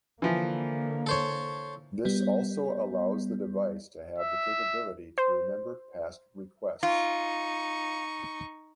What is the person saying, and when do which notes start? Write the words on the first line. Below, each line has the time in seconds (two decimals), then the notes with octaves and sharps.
This also allows the device to have the capability to remember past requests.
0.22 D3 E3 F3 A#3
1.06 A4 C5 C#5
2.05 G3 B3
4.18 E5
5.18 C5
6.83 D#4 F4 C#6